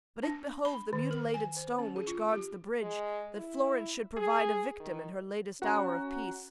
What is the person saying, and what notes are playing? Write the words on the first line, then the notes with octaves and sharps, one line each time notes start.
But it behoved the mutilated stone Which guards the bridge, that Florence should provide A victim in her latest hour of peace.
D4
B5
D#3
A#4
G#5
C5
C#4
G#4
F4
G4
G#3
E4
G#4
D#3
C#4 F#4 A#5